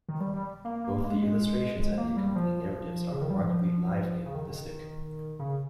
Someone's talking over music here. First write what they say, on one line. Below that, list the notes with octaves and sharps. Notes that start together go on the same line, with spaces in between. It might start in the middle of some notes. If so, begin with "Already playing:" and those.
Both the illustrations and the accompanying narratives are remarkably lively and realistic.
D#3
G3
G3
A#3
A#3
G#3
G#3
A#3
G3
F3
C#3
D#3
G3
F3
F3
C#3
D#3
C#3
D#3
C#3